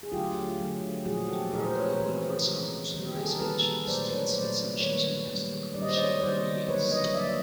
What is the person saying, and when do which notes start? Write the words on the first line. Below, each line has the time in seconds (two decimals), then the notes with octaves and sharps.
In Berkeley, boulevards are mostly residential streets, but some sections pass through commercial areas.
0.03 G#4
0.12 D3 F#3 A3 F4 G4
0.59 D3 F#3 A3
1.05 A#2 F3 A3 F#4 G#4
1.28 G4 A4
1.52 A#2 F3 A3 G#4 A#4
1.64 A#4 C5
1.76 B4 C#5
2.00 C#3 E3 G#3
2.22 A#4 C5
2.47 C#3 E3 G#3
2.93 D#3 G3 A#3
3.06 G4
3.15 G#4
3.23 A4
3.31 A#4
3.40 D#3 G3 A#3 A4 B4
3.87 A#2 F#3 A3 C5 D5
4.10 B4 C#5
4.34 A#2 F#3 A3 C5 D5
4.80 D#3 G3 A#3 B4 C#5
5.27 D#3 G3 A#3
5.74 D#3 G3 A#3 D5
5.82 D#5
5.89 C5 D5
5.98 C#5 D#5
6.21 D#3 G3 A#3 C5 D5
6.68 D3 F#3 A#3 B4 C#5
6.91 C#5 D#5
7.14 D3 F#3 A#3 D5 E5